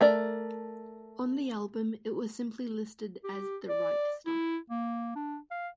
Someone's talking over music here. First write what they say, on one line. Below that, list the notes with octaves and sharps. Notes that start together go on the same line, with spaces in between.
On the album, it was simply listed as The Right Stuff.
A3 A#4 D5
G4
D5
E4
A#3
D4
F5